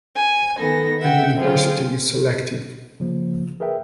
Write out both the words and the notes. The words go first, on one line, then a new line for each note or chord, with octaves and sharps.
The university is selective.
G#5
D#3 B3 A4 A#6
E5 F#5 G5
D3 F#3 C4 F4 G#4
C#3 F3 A#3
G#4 A#4 B4 E5 G5